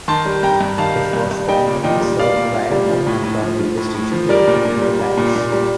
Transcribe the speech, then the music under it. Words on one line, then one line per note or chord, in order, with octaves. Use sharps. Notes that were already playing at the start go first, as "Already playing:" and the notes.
If was formerly served by Moorhampton railway station located in the parish.
D#3 A5 C6
G3
G2 G5 A#5
G2
D#3 F5 A5
G3
G2
G2
G3 D#5 G5
A#2
A#2 D#5 G5
G3
G3 D5 F5
A#2
A#2
G3
F3
A2
A2
F3
F3
A2
A2
F3
G3 A#4 D5
A#2
A#2
G3
G3
A#2
A#2
G3